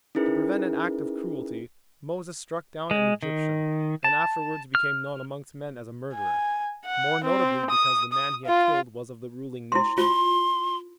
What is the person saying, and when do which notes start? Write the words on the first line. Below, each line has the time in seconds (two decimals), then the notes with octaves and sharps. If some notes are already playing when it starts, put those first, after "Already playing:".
To prevent an act of cruelty, Moses struck down an Egyptian and afterward became known among men as a murderer, more notably because the man He had killed was of the ruling nation.
0.15 C#4 D#4 E4 G#4 A#4 B4
2.91 G#3
3.23 D#3
4.04 A5
4.75 F6
6.14 G#5
6.86 F#5
7.24 C4
7.70 D#6
8.13 D#6
8.45 F4
9.72 E4 C6
9.98 F4 C6